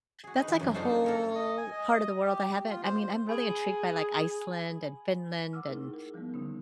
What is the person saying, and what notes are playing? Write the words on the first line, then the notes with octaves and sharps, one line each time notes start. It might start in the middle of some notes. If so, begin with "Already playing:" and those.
that's, like, a whole part of the world I haven't I mean, I'm really intrigued by, like, Iceland and Finland and
F#4 G#4
D#4 B4
E3
F#2 C#3 F#3
D4 D#4 F4 F#4 A4 C5
A4 A#4 C#5
D#5
G#5
D#5
G4
F4
C5
G#4 G#5 B5 F#7
F#5 D6 E6 F6
A3 D#4 E4 G#4 A#4
G#4 A#4
F3 G3 A#3 B3
D3 D#3 C#4 D#4